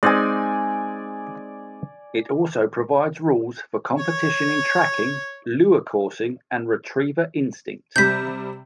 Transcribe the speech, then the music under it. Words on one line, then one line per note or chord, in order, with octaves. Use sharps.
It also provides rules for competition in tracking, lure coursing, and retriever instinct.
G#3 C4 D#4 D5 G#5
C#5 C#6
C3 G3 G6 B6